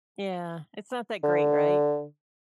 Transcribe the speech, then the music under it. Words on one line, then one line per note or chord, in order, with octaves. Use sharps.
Yeah. It's not that great, right?
D3